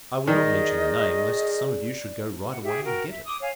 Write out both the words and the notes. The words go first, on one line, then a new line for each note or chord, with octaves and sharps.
I will not mention the name, lest some of you should go right away and get it.
D#3 G#4 D5 D#5
F#5
G4 G#4 E5
F#4 A#4 G5
E5
D6 D#6
C#5 F5 G#5